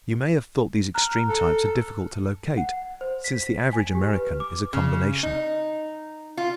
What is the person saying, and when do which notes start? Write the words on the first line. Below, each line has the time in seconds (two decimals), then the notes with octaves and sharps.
You may have thought these extreme types are difficult to locate, since the average American is a combination.
0.94 A#5 F6 F#6
1.29 A4
2.57 F#5
3.01 C5
3.24 B6
3.73 G#5
3.95 G4
4.15 B4
4.40 D6
4.73 C#3
5.23 D#4
6.37 F4